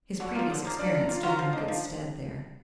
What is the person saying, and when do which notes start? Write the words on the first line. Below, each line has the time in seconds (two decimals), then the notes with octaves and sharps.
His previous experience stood him in good stead there.
0.20 D3 F#4 F#5
0.35 F3 A#3 F4 F5
0.50 D3
0.65 F3 A#3
0.79 A#3 D4 D5
0.94 F4
0.97 A#4
1.09 A#3 F4 F5
1.23 F4 F#4 A#4 F#5
1.38 F3 F4 F5
1.53 A#3 D4 D#4 D#5
1.68 F3 D4 D5